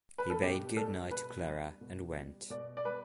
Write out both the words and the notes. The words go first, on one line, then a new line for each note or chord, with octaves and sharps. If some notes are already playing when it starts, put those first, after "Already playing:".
He bade good-night to Clara, and went.
B4
A4
B2 G4
G3 A4
B2 B4
G3
B2
G3
B2 D5
D5
G3 B4